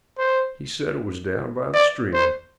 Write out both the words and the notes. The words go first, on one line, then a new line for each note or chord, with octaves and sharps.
He said it was down by the stream.
C5
D5
C5